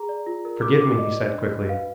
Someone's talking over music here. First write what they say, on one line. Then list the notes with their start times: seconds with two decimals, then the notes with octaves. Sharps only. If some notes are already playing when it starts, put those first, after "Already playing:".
"Forgive me," he said quickly.
Already playing: G#4 A#5
0.09 D5
0.26 F4
0.45 A#4
0.62 F#4 D6
0.80 F#4 D6
0.98 D5 D#5
1.16 D5
1.33 D4
1.51 F#4
1.69 B4 F5